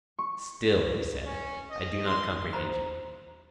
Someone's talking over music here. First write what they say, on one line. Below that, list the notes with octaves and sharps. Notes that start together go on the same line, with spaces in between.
Still, he said, I do not comprehend you.
C#6
C#4
D#5
C6
C5 A#5 B5